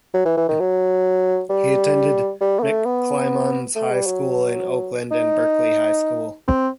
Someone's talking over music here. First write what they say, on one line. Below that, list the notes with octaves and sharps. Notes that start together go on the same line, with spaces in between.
He attended McClymonds High School in Oakland and Berkeley High School.
F#3
E3
E3
D#3
F#3
G3
G3
B3
A3
B3
A3
G3
F#3
D#4
C4